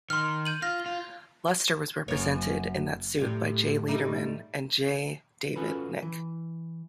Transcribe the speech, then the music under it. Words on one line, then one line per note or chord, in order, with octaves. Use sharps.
Luster was represented in that suit by Jay Leiderman and J. David Nick.
D#3 C6 F6
G6 D#7 F#7
F4 F6 A#6
F4
F#1 F#2 C#5
A2 C3 G3
G3 A3 D#4
C#4 F4 F#4 G#4 A4 B4
E3